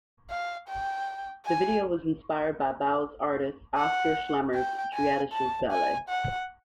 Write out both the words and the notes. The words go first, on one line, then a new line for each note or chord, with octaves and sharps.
The video was inspired by Bauhaus artist Oskar Schlemmer's Triadisches Ballett.
F5
G5
G#5
F#5
G5
G#5
A5
G#5
F#5